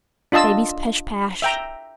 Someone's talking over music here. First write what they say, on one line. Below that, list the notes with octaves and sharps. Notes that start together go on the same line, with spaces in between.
Baby's Pesh-Pash.
D4 F4 D#5 A5 E6
E5 G5 A#5